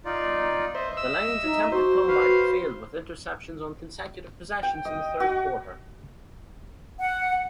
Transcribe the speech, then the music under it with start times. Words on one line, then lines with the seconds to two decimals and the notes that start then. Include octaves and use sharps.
The Lions attempted comeback failed with interceptions on consecutive possessions in the third quarter.
0.05 D#4 F4 D5
0.75 C5 D#5 E5
0.97 E6
1.44 D#4
1.72 F#4 C5
2.08 B4 F5
4.63 G5
4.85 D#5
5.20 F#4
6.99 F#5